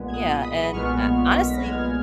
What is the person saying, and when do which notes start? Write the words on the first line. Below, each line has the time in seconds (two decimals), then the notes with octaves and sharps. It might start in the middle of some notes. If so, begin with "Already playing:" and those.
Yeah, and, h honestly,
Already playing: B1 A#2 G#3 B3
0.08 G#6
0.13 D#6 F#6
0.43 B5 D#6
0.73 B1 A#2 G#3 B3 C#6 F6
1.44 B6
1.53 A#6
1.63 B1 A#2 G#3 B3 F6 G#6